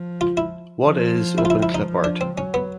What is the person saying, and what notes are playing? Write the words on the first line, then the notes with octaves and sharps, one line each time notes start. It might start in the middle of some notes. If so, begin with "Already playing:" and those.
What is Open Clipart?
Already playing: F3
F4
E4
F3
E4
F4
E4
E4
D#4
F3
D4
C4
F#3 C#4
B3